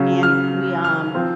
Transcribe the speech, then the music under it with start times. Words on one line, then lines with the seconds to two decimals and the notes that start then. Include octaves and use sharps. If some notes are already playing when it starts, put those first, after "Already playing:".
and we, um,
Already playing: C#3 F#3 C#4
0.23 F6
0.84 F6
1.14 F3 C4